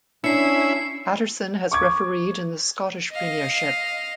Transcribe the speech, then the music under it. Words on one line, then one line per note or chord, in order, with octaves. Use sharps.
Paterson has refereed in the Scottish Premiership.
C#4 D4 E4 C7 C#7
C#6 D6 G#6
D#5 F5